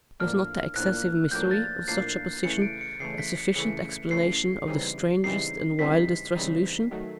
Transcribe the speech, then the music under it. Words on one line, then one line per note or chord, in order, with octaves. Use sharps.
Was not the excessive misery of such a position a sufficient explanation of the strangest and wildest resolutions?
A2 F3 A#3 D4 F6
A2 F3 A#3 D4 F#6
A2 F3 A#3 D4 G6
A6
A2 F3 A#3 D4 C7
C#3 E3 A3 C#7
D7
C#7
C#3 E3 A3 C7
B6
C#7
C#3 E3 A3 C#7
C#3 E3 A3 C7
C#3 E3 G3 C4 D#4
C#3 E3 G3 C4 D#4 C7
C#3 E3 G3 C4 D#4 B6
C#3 E3 G3 C4 D#4
D#3 F#3 A3